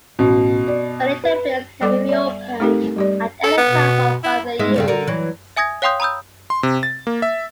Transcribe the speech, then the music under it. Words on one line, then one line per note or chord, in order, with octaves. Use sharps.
The interface can be reopened at any time for further use.
A1 B2
D5
B4
G3 B3 A4 D5 D6
D5 E5
A3 C4 D#4 G4 A4 A#4
G3 G4 D5
A4
B3
B2
E4
G#2 G#3 E5
G2 C#3 C4
D3 A#4
E3 F#3
E5 G#5 D#6 G#6 A#6
C#5 F5 G5 C6 D#6 G6
A#5 B5 D#6 E6 G6
C6
C3
A6
A#3
E5